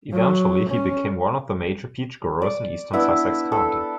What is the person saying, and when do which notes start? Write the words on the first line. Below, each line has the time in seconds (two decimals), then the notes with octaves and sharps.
Eventually he became one of the major peach growers in eastern Sussex County.
0.12 F#3
0.70 C#4
2.42 D5
2.93 B3 D4 E4 E5
3.52 A4